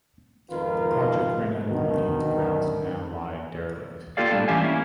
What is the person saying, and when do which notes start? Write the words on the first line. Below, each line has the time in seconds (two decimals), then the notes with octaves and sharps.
The project ran out of money and the grounds now lie derelict.
0.50 G#1 F2 D#3 F4 A#4 B4
1.68 D2 B2 D#3
4.17 A#3 F4 G4 A4 D5 F5
4.31 A2 G3 B3 D4
4.48 E3 C#4 G4 E5 F5 G#5
4.63 A#3 C#4 E4